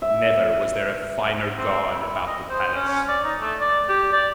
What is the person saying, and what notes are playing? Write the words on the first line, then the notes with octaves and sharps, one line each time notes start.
Never was there a finer guard about the palace.
E5
C4
E4
D#5
C5
C#4
C#4
D5
D#4
A3
D5
G4
D5